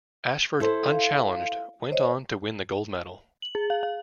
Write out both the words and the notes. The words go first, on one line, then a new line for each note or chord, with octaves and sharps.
Ashford, unchallenged, went on to win the gold medal.
E4 A4 C5
F5
C5 C#5 D#5
F#7
G#4
F5
F5